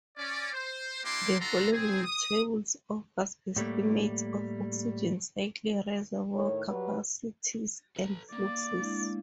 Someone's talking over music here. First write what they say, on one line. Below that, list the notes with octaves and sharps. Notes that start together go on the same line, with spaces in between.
The following tables offer estimates of oxygen cycle reservoir capacities and fluxes.
C#4 D5
C5
A#3 D4 E4 G4 C6 D6
D4 F4 F#4 A4 A#5 C6
C4 G#4
D#6
A2 G3 A3 A#3
A2 D#3 C#5
F#3 G3 G4 B4 C#5
A4 B4 A#5
A#3 D5
G#3 D4 E4